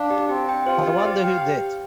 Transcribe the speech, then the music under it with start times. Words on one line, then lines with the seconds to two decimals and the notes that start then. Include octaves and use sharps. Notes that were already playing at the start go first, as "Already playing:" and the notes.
I wonder who did!
Already playing: D4 F5
0.10 G4
0.29 C4 G4
0.49 G5
0.67 F4 C5
0.86 G4
0.97 D5
1.05 G4 F5
1.24 G5